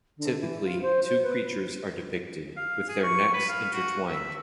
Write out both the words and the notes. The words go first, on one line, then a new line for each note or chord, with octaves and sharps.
Typically, two creatures are depicted, with their necks intertwined.
D3
E3
F4
C5
C5
B4
F5
G#4
C#6
B4
F5
F#4
E5